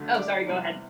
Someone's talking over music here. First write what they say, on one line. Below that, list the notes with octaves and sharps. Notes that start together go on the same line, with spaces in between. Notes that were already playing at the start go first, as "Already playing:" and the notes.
Oh, sorry, go ahead.
Already playing: D2 D3 A3
D5
E2 C3 E3 G3